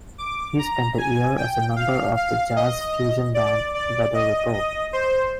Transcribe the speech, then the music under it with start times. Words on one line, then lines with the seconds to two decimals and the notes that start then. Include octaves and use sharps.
He spent a year as a member of the jazz fusion band, Weather Report.
0.18 D6
0.58 A#5
0.98 G#5
1.37 G5
1.76 F5
2.17 F5
2.56 D#5
3.35 D5
3.75 D5
4.14 D#5
4.53 D#5
4.93 C5